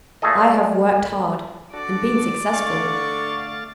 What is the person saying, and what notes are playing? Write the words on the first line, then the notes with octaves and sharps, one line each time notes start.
I have worked hard and been successful.
A#2 A3 G#4 A4 D#5
D4 F#4 A4 D5
D3 A3 F5 C#6 A6